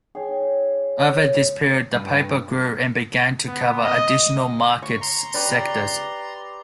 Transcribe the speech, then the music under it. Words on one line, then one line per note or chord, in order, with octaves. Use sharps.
Over this period the paper grew and began to cover additional market sectors.
G#4 C#5 G5 G#5
C#5
G2
B3
D#5
C#6
A#5 C6
G4 B4 D5